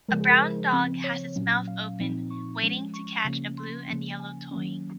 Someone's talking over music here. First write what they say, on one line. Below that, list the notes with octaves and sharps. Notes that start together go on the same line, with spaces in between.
A brown dog has its mouth open waiting to catch a blue and yellow toy.
C#3 F3 G#3 A#4
G#4
A#4
C5
C#3 F3 C4
C#5
A#2 F#3 C#4
F5
A#2 F3 C4 D#4
C#6
F3 G#3 C#4
C#6
C#3 F3 A#3 C#4
C6
C#3 F3 A#3 C#4
G#5
D#3 F#3 A#3 C#4